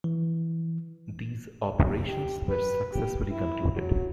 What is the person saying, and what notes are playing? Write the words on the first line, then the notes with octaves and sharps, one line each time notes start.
These operations were successfully concluded.
E3
G4
B4
G4
E4
F#3